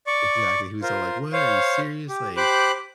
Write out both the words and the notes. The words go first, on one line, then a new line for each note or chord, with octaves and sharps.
Exactly he was all, like, "What? Are you serious"? Like,
D5 C#6
F4 A#4 C5
C5 C#5 F5
G4
G4 C5 B5 D6 F#6